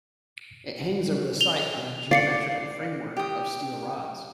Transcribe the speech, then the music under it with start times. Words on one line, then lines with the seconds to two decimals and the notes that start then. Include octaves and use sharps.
It hangs over the site on a geometrical framework of steel rods.
1.41 F7 G7
2.11 D5 F5 C7 C#7
3.17 G4 D#6